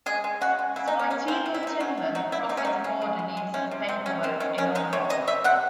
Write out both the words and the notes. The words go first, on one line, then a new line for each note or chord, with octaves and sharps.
"Swietenia" timber that crosses a border needs its paperwork in order.
G#3 G#4
G#3
C#3 F#4
G#3
C#3 E4
D#4
G#3
C#4
C#3 C#4
C#3 C4
C3
E4
C3 D#4
F#3 C#4
A3
F#3 D#4
C3 E4
C3 D#4
C#4
F#3 D#4
C#3 C#4
C#3
G#3
G#3
C3 C#4
C3
C3 C4
C3 C#4
D#3 C4
D#3 C#4
D#3 C#4
G#3 D#4
C3 C#5
E3 D#5
C3 E5
C3 F#5